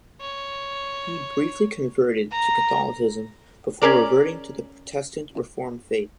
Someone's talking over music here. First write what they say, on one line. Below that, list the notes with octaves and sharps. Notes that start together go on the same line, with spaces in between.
He briefly converted to Catholicism, before reverting to the Protestant Reform faith.
C#5
A#5
C#4 G#4 A#4 D5